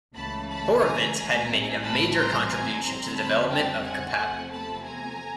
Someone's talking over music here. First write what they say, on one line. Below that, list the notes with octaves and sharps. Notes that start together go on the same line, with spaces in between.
Horovitz had made a major contribution to the development of Kapap.
C#2 C#3 E3 A3 A5 B5
A5 B5
G#5 A#5
A1 A2 E3 G3 C4
A5 B5
A#5 C6
G#5 A#5
F2 D3 G3 C4 A#5 C6
A5 B5
G5 A5
F#5 G#5
E2 C3 F3 A3 C4 F#5 G#5
A5 B5
G#5 A#5